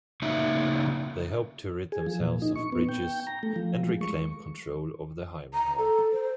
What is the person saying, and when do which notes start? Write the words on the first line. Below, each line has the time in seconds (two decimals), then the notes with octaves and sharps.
They hoped to rid themselves of Bridges and reclaim control over the hiring hall.
0.22 C#3 A#3 D#4 F#4 E5
1.92 G#4
2.06 F3
2.20 A#2
2.42 D#4
2.56 C#6
2.72 B3
2.89 G5
3.27 A#5
3.43 A3
3.56 F3
3.89 G#3
4.01 C#6
5.54 A#5
5.78 A4
6.12 C5